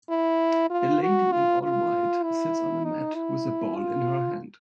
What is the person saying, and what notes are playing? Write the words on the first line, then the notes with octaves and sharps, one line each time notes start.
A lady in all white sits on a mat with a ball in her hand.
E4
F4
F#4
F4
F4
E4
D#4
E4
F4